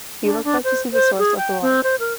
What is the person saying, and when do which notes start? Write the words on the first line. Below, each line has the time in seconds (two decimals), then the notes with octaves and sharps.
He looked up to see the source of the light.
0.23 D4
0.44 D4
0.64 C5
0.93 C5
1.19 G#4
1.37 G5
1.62 C4
1.83 C5
2.00 A#4